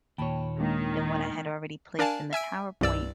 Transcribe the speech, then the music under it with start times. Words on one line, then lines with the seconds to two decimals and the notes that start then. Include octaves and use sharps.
than what I had already placed in the PowerPoint,
0.18 D#2 A#2 C#5 G5 A5 B5
0.60 D#3 G#3 A#3 D4
1.99 D4 A#4 D5 F5 G#5 A5
2.33 E5 G#5 E6 D7
2.81 C2 G2 D5 E6